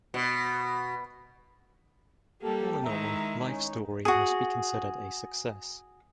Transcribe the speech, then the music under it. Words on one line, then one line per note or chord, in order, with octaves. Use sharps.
All in all, "Life Story" must be considered a success.
B2
G3 A#3 G4 A4
D#3 G#3 E4 E5 A#5
C#4 D#4
F#4 G#4